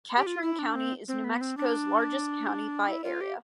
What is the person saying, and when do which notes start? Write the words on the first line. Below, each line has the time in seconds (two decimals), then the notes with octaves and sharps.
Catron County is New Mexico's largest county by area.
0.17 G4
0.26 F4
0.42 E4
0.59 D4
0.76 C4
1.08 C4
1.24 B3
1.41 C4
1.57 D4
2.88 E4
3.04 F4
3.21 G4